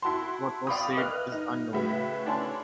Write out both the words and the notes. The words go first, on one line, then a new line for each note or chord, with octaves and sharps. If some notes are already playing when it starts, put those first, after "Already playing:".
What was said is unknown.
E4 F#4 A5 C6
D5 F5 G5 B5 C#6 D#6
B4 D#5 F6 F#6
D#4
A2 C#3 F#4 B4 E5
C#4 D4 E4 G#5 A5 C6